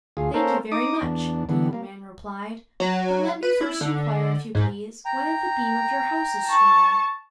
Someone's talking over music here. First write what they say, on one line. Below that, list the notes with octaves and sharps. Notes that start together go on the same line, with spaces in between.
"Thank you very much," the young man replied; "but let me first inquire, if you please, whether the beam of your house is strong."
D2 F4 G#4
A#3 C#4 A4 A#4 C5
D#4 D6 D#6
E2 D4
D3 E3 B3
A#3
F#3
B4
E4
D3
G#2
G5 A#5
A5 C#6